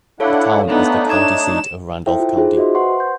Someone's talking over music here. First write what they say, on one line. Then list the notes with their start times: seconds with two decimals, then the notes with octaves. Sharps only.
The town is the county seat of Randolph County.
0.20 D4 E4 A4 C#5 F5 F#5
0.68 A3 B3 D4 D#4
1.10 C#5 D#6 G#6 E7
2.06 E4 A4 C5 E5 G5
2.20 F4
2.36 D#4 F4 G#4 C5
2.57 F#4 D#5 E5 C6
2.75 B4 C5 F#5 C6 C#6
3.00 G6